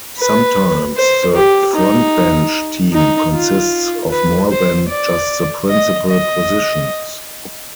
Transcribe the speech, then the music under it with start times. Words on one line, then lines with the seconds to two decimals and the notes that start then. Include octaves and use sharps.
Sometimes the frontbench team consists of more than just the principal positions.
0.18 B4
0.97 C5
1.36 G4
1.76 D#4
2.93 D#4
3.33 F4
4.11 B4
4.51 C5
4.89 D5
5.69 D#5
6.08 D#5